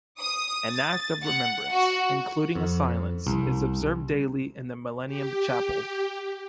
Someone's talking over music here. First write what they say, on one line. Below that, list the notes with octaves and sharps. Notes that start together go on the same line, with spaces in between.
An Act of Remembrance, including a silence, is observed daily in the Millennium Chapel.
D#6
A6
F#5
F#4
F2
C2
G4